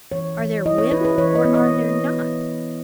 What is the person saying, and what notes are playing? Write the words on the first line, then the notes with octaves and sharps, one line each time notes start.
Are there women or are there not?
E3 C#5
E3
E4 D#5
C#5
E4 B4
B4
E3 C#5
D#5
B3
D#5